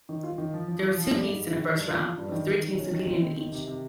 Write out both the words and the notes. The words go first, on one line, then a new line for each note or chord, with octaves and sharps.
There were two heats in the first round, with three teams competing in each.
D#3
F4
D#3
F3
F3
F3
F3
G3
G#2
G#2
D#3
G2
F4
F4
G2
D#3
D#3
D#3
C#4
D#3
C4
C4
D#3
C3
C3